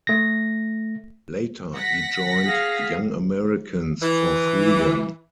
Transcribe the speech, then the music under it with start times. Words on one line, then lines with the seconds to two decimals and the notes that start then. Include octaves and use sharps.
Later he joined Young Americans for Freedom.
0.07 A3 A#6
1.74 F#5 A#6 B6
2.44 G#4 F5
4.02 E3